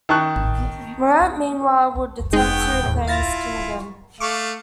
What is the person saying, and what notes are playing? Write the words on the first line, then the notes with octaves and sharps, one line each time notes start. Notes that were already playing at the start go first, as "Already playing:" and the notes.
Murat, meanwhile, would attempt to reclaim his kingdom.
D#3 A5 C#6 F#6
G#3 B3 D#4 G#4 G5
E2 A2
E4 F4 F5 A6 A#6
A3 F5 C#6 D6